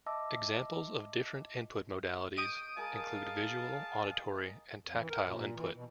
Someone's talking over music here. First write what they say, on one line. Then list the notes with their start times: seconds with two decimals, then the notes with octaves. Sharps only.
Examples of different input modalities include visual, auditory and tactile input.
0.06 D#5 E5 A5 D6 E6 A#6
2.37 D#5 G5 C#6 D#6 D7 D#7
2.77 G#4 A#4 D#5 F5 A5
4.85 F2
4.97 E3
5.09 A#4
5.24 A#2
5.55 E3
5.75 B2